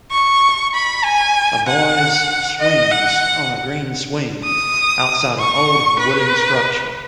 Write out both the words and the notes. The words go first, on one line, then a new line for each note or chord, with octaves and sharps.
A boys swings on a green swing outside a old wooden structure.
C#6
B5
G#5
F#5
D#5
F#5
D#6
C#6
B4